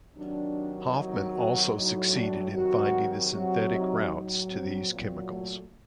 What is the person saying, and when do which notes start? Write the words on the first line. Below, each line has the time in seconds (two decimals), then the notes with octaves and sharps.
Hofmann also succeeded in finding the synthetic routes to these chemicals.
0.15 C3 D#3 F#3 D4
0.94 C3 D#3 F#3 D#4
1.33 F#4
1.73 A2 F#3 D#4
2.12 D4
2.51 C3 D#3 F#3 F#4
3.30 C3 F#3 F#4
3.70 D#4
4.10 A2 F#3
4.49 C4
4.87 A#2 F#3 C4
5.27 A3